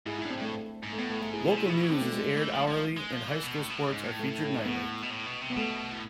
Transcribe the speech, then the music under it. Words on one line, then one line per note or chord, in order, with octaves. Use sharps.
Local News is aired hourly and High School Sports are featured nightly.
G#2 E4 G#4
E4
A2 D4
C4
A2 A3
A3
G#2
A3
A2 B3
A3
G#2 A3
E4 G#4
B2 E4 G#4
C3
B2 E4
E3
D3 C4
A3
G#3
E3 A3
F3
F3
G#3
F3
E3
B2
A2
B2
A2
G#2
A2
A3
A3
G#2
A2 B3
B2
A2
B2
C3
A2 B3
B2 A3
A2